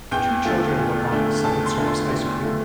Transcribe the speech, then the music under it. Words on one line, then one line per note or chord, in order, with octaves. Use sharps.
Two children look on as someone serves ice cream.
E2 G5
D3 A3 D4 F4
E2
D3 A3 D4 F4
E2 A5
C6
D3 A3 D4 F4
C6
E2
D3 A3 D4 F4